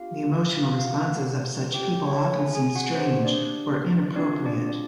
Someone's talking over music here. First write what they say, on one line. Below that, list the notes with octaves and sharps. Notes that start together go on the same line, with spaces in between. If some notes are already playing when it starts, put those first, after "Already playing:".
The emotional responses of such people often seem strange or inappropriate.
Already playing: B3 D4 F4 G4 F5
D4 F4 G4 F5
F5
F#4 F#5
C#4 F4 G4 A4 G5
C#5 C#6
G#4 G#5
G#4 G#5
F#4 F#5
A#3 D4 G4 C5
D4 D5
C4 D4 F4 G#4 D5
D4 D5
D5